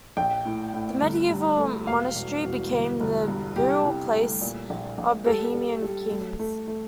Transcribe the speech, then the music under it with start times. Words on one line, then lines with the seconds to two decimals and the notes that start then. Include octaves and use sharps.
The medieval monastery became the burial place of Bohemian kings.
0.17 A#1 G5
0.45 A2
0.74 A2
1.01 G1
1.30 G2
1.58 A3
1.87 E1 F5
2.15 E1
2.43 E1
2.72 G1
3.00 G1
3.28 G2
3.56 C2 G4
3.85 C2
4.13 A3
4.41 A#2
4.70 A#1
4.98 A#1
5.26 G3 A4
5.54 G3
5.82 G3
6.11 A3
6.39 A3
6.68 A3